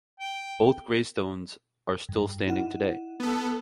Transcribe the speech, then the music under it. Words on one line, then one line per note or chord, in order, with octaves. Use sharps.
Both gravestones are still standing today.
G5
G2
D#4 E4 F#5
B3 A4